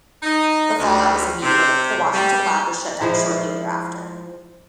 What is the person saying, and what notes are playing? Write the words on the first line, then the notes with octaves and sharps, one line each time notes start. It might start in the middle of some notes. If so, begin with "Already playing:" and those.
The fallout was immediate; the Washington lab was shut down shortly thereafter.
D#4
D2
C3
G3
F3 G#3 E4